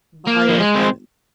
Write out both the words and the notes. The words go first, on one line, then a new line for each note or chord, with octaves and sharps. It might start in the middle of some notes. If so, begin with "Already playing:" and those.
By a an
A#3
F3
G#3
C4